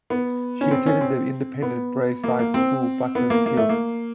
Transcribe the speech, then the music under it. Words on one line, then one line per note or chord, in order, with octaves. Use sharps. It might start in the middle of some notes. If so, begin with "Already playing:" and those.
She attended the independent Braeside School, Buckhurst Hill.
B3
C#4
C4
C#4
C4
B3
A#3
A#3
C4
B3
A#3
A#3
A3
A#3